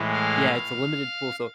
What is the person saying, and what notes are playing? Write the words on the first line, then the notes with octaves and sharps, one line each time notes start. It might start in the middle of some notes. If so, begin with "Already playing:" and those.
Yeah, it's a limited pool, so
Already playing: A2 E3 G#3
F5